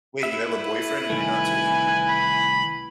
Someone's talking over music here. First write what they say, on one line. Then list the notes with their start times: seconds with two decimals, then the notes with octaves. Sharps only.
Wait, you have a boyfriend and you're not taking him?
0.23 E4 B4 E5
1.10 C2 D#3 A3 G#5
2.09 B5